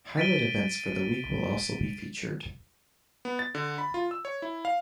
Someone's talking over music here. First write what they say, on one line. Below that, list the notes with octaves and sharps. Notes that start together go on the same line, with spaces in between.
Highlight events for the week will also be featured.
A6 B6 D7 D#7 G7
B3
A6
D3
B5
F4
E6
C#5
E4
F5